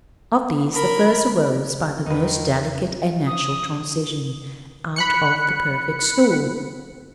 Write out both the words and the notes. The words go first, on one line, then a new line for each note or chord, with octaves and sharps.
Of these the first arose, by the most delicate and natural transitions, out of the perfect school.
A#4 B5
E2 D#3 D#4 B4
D#6
B5 F#6 C#7